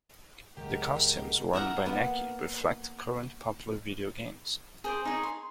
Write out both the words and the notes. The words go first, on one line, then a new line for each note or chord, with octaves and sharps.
The costumes worn by Necky reflect current popular video games.
C#2 A#2 F#3 G4 G#4 A#4 D#5 F#5
A#4 E5 F#5 A#5
A#3 B3
G#4 C5 D6
D#4 G#4 C#5
C6